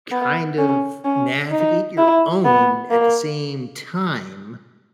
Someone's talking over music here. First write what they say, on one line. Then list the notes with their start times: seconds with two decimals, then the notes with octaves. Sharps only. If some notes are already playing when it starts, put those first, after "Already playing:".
kind of navigate your own at the same time
0.12 B3
0.59 C#4
1.05 C#4
1.52 D#4
1.98 E4
2.45 B3
2.91 A#3